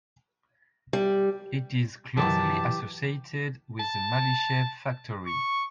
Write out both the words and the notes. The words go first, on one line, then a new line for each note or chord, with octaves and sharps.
It is closely associated with the Malyshev Factory.
G3
F#2 B2 E3 F#3 G4 A5
A5
C#6